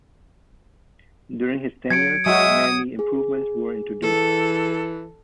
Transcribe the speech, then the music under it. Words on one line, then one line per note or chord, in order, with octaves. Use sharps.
During his tenure many improvements were introduced.
F#3 G#6 C#7 D7
F#3 G#3 F#4 E5 D#6
G#4
E3 A4